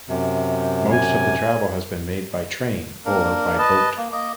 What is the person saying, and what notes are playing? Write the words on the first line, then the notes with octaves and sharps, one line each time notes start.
Most of the travel has been made by train or by boat.
F#2 C3
G#5
A#3 D4 A#4
B4 D#5 A5
A#3
A#3 D#5 D6